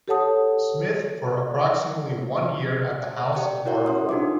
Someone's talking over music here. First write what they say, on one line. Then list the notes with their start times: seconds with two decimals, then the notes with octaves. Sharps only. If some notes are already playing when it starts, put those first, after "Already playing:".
Smith for approximately one year at the House of Hardcore.
0.08 G4 A4 C#5 F#5 A5 D#6
3.34 G4 D5 G5
3.66 E4 F#4 A#4 C#5 E5 F#5
3.86 C#4 C6 D#6
4.09 D4 D#4 F4 G4 D6